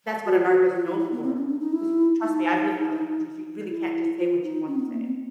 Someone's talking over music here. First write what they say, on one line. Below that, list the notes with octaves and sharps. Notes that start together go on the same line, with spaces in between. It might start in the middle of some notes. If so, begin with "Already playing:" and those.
That's what America's known for, 'cause you trust me, I've lived in other countries, you can really can't just say what you want to say,
F#4
F4
F#4
F4
E4
E4
B3
C4
C#4
D4
D#4
E4
D#4
E4
F4
D#4
C#4
C4
B3
A#3
C4